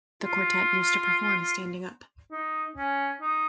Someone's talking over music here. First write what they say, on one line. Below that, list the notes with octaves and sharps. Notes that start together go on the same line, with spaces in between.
The quartet used to perform standing up.
F4
D#4
C#4
D#4